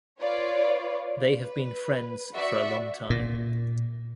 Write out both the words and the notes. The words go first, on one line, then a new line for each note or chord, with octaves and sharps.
They have been friends for a long time.
F4 B4 C#5 D5
B4
F#4 D5 E5 C#7
A#2